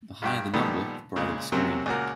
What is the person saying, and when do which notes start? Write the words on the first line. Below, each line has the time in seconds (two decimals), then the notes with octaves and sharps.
The higher the number, the brighter the screen.
0.22 A#1 G2 G5
0.54 A#2 D#3 F3 G3 B3 A4
1.16 A#2 C#3 G#3
1.52 C#2 C3 F#3 A#3 C4
1.86 C#2 A#2 F#4 A#4